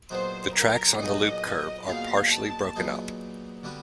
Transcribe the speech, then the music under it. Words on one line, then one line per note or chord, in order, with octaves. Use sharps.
The tracks on the loop curve are partially broken up.
A#2 F#3 B3 D#4 G#4 C5
A#4
A#2 F#3 B3 D#4 G#4 D#5
A#2 F#3 B3 D#4 G#4 F5
A5
A#2 F#3 B3 D#4 G#4
D3 G3 B3 D4 F#4